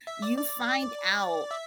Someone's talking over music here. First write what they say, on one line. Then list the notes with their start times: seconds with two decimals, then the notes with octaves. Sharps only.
you find out
0.07 E5
0.22 D5
0.38 D5
1.51 E5